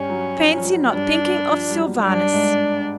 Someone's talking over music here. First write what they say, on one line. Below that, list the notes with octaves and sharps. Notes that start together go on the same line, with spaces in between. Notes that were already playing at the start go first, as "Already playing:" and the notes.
"Fancy not thinking of Sylvanus!"
Already playing: G2 G3 C#4
F#3
F3
F3
F#3
G2 G3 D4
F3
G3
F#3
G2 G3 D4
G#2 G#3